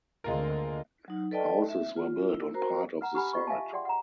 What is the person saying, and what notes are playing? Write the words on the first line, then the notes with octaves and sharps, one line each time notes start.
Houses were built on part of the site.
D2 A#2 D3 G#3 C4 F4 A#4
F#3 D#4
A4 B4 D5 D#5 G5 A5
E5
F4
E4
F#4 A#4 C5 A#5
B4 F#5 A#5
D4 G4 B4 F#5 G#5 B5
F4 D#5 C#6
E5 F5 G#5 A5
G#4 D5 F#5 G5 C6
F#5 A#5